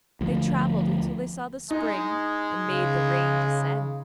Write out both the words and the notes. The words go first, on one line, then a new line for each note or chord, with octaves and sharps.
They travelled until they saw the spring and made the rain descend.
D2 F3
G#3 D#4
C#3